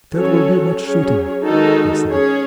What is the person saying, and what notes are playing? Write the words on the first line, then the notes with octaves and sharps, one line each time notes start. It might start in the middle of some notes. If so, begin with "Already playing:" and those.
"There will be much shooting," he said.
F#3 C#4 F#4 A4 C#5
F#3 C#4 G#4 C#5
D#3 G#3 D#4 F#4 A4
C#4 G#4 C#5